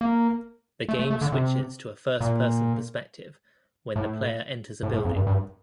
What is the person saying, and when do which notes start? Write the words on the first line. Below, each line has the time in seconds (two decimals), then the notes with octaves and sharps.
The game switches to a first-person perspective when the player enters a building.
0.01 A#3
0.89 A3
0.99 A3
1.10 A3
1.21 D3
1.32 C3
2.21 A#2
3.96 A2
4.83 A2
4.93 A2
5.05 F2
5.16 G2
5.27 G2